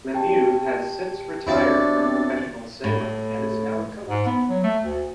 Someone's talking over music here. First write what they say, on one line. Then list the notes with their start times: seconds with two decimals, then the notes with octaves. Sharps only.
Lemieux has since retired from professional sailing and is now a coach.
0.14 G4 G5 A5
1.47 E2 C4 D4 E4 F#4 C#5 A6
2.84 A2
4.08 G#2
4.26 B3
4.49 F#3
4.64 A3
4.84 D2